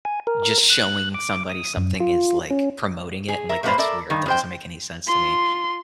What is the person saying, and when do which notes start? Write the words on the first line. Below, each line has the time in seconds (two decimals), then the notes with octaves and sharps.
just showing somebody something is, like, promoting it. I'm, like, "That's weird. That doesn't make any sense to me."
0.05 G#5
0.27 A#4
0.70 F#6
1.15 D6
1.50 D#6
1.77 F#2
2.00 F4
2.51 C#4
3.28 G#4
3.49 A#4 E5
3.63 A#2 A3 A#3 B4 C5
3.78 A4 A#4 D5 E5
4.10 G2 D#3
4.26 F2 C5 G5
5.07 F4 C6